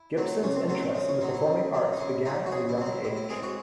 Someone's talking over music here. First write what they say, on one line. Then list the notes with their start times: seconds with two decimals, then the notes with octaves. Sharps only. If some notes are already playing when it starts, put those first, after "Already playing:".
Gibson's interest in the performing arts began at a young age.
Already playing: E4
0.17 F#3 A3 C4
0.43 C3 C#4
0.56 C4
0.69 F#3 A3 C4 C#4
0.82 C4
0.95 C#3 C#4
1.08 C#4
1.21 F#3 C4 D#4
1.34 E4
1.47 C#3
1.73 F#3 C4
1.93 D#4
1.99 C#3 E4
2.25 F#3 C4 D#4
2.46 F#4
2.51 C#3 G#4
2.69 E4
2.77 F#3 C4
2.86 E4
3.04 A2 E4
3.17 E4
3.30 E3 G#3 C4 G#4
3.43 F#4